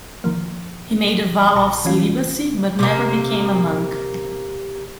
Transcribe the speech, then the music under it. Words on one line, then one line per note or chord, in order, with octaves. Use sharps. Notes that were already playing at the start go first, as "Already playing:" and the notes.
He made a vow of celibacy, but never became a monk.
D#3 F3 A#3
A#1 A5 A#5 C#6
E3 C#4 F4
C3 A#3